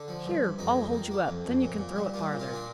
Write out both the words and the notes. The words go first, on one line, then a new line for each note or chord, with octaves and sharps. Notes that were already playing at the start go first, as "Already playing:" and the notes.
Here, I'll hold you up, then you can throw it farther.
Already playing: D3 A4
F3
G2
G2
F2 D#4
F2
D#3
A#3
F2
F2
A#2
A#2
G3
A#3 F4
A#2
F4
A#2
D4